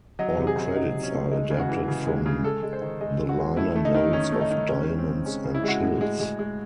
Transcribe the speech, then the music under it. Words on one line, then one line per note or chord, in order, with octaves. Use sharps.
All credits are adapted from the liner notes of "Diamonds and Chills".
F#3 D#5
C3
G#4
F#3
F#3 D#4
C3
C#4
A3
G#3 D#4
C#3
F#4
E3
C#3
G#3
C#3
G#3 A4
G#3
C5
D#3
G#3 D#5
G#3
F#4
G#3
A3 E4
A3
D#4
D#3
D#3 C#4
A3
D#4
D#3
G#3 C#4
G#3
C4
C#3
G#3 C#4
C#3
E4
G#3 F#4
A2
G#3
G#3
G#3